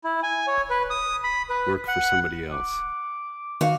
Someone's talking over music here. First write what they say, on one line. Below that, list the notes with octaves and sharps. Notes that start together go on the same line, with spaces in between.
Work for somebody else.
E4
G#5
C#5
B4
D#6
B5
B4
F#5
D6
D#3 F#4 F5